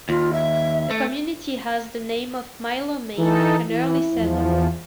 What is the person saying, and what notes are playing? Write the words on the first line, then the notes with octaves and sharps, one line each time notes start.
The community has the name of Milo Main, an early settler.
D#2 F4
E5
A3
E3 D#4 A4
E3 E4
E2 F3